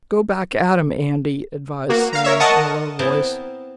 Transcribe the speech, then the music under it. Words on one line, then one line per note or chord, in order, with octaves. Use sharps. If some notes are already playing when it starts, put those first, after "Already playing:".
"Go back at him, Andy," advised Sam, in a low voice.
A#3 F#4
F5 A#5
A#4 C#5 E5
A#4 D#5 F#5 A5 C#6 D#6
B3 C4 E4 A#4 C5 A5